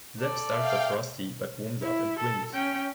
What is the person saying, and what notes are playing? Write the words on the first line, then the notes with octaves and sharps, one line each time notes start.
Zeb starts off rusty, but warms up and wins.
A4 D5
E5 F5 G5
E4
A4
C#4 G5